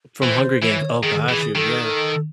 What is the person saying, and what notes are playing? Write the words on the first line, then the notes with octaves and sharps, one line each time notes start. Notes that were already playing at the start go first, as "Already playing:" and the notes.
from Hunger Games oh, got you, yeah.
E3 C5
E3 C#5
D#3 G#4
A4
E3 G#4
D#3 A4
A4